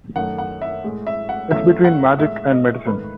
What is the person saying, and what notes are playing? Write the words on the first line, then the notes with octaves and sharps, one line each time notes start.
It's between magic and medicine.
F#2 D#3 A3 F#5
F#5
E5
A2 G#3
E5
F#5
E2 C#3 F#3 A3 E5
F#5
A2 G#3 E5
D#5
G#2 D#3 A3 B4